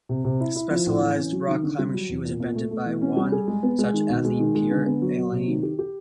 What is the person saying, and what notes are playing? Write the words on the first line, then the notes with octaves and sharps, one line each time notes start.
The specialized rock climbing shoe was invented by one such athlete, Pierre Allain.
C3
C3
E4
E4
F3
A2
E3
C#4
F#3
D#3
D3
G3
F#3
E2
A#2
A#2
A3
A3
E3
C#4
G3
G#4
G#3
B3
G#3
D#3
B2
G#3
D#3
G#3
D3
B3
F#3
F#3
C3
D#3
G4
G4